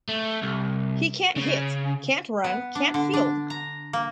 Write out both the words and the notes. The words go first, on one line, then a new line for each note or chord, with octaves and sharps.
He can't hit, can't run, can't field.
A3
C2
C#3
B3
D4
D3
D4
A#5
A#3